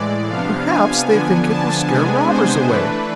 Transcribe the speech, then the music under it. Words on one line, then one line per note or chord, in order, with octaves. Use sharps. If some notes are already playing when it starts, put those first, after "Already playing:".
Perhaps they think it will scare robbers away.
Already playing: A2 E3 G#3 D5
C3 F3 B3 D4 F5
G#5
D3 F3 B3 D4 G#5
A5
C3 G#3 B3 D4 G#5
C5
E3 A3 D4 B4